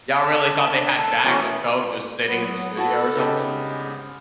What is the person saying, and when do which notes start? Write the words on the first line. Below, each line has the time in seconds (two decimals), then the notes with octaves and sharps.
Y'all really thought they had bags of coke just sitting in the studio or something?"
0.19 A5
0.71 D4
0.98 A4 A5
1.24 B2 E3 A3 B3 C#4
2.29 F#3 B3
2.77 F#4 A4 F#5 A5
3.16 C#3 D#4 G4
3.48 C2 D3 G#3
3.84 G#2